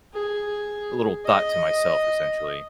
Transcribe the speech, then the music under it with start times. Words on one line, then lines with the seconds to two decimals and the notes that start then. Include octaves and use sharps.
a little thought to myself, essentially.
0.13 G#4
1.26 D#5